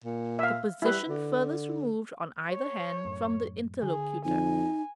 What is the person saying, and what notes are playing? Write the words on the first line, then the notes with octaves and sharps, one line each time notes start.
The position farthest removed on either hand from the Interlocutor.
A#2
E5 F5
G3 E4 B4
D3
C#5
F#2 A2
D3 G#4
F2 D#4 G#5